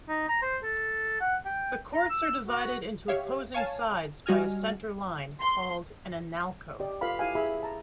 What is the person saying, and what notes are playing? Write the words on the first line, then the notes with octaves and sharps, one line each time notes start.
The courts are divided into opposing sides by a center line, called an "analco".
D#4
A#5
C5
A4
F#5
G5
A#5
E6
F#4
G4 C#5 E5 F5
C#5 F5 G#5 A5
G3 F#4 D#5 G#5 F6
C6
G4 D5 D#5
F4 A4 B4 F5 B5
E4 G4 F5 G#5
E4 G#4 E5 B5
A5 A#5